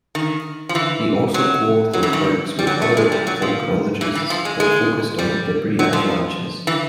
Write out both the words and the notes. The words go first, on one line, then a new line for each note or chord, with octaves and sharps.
He also coauthored works with other volcanologists that focused on debris avalanches.
D#3
F3
E3
F#3
F#3
E3
D#3
G3
F#3
A3
G#3
G3
F#3
F3
E3
E3
F3
G#3
G#3
G3
F#3
F3
E3